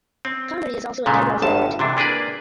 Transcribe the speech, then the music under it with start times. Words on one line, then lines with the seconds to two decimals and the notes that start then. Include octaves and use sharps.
Comedy is also integral to their art.
0.25 C4
1.06 A#2 C#3 G#3 A3
1.42 G1 D2 G2 A5
1.79 C3 E3 D4
1.97 A#3 D4 G#4 B4 D5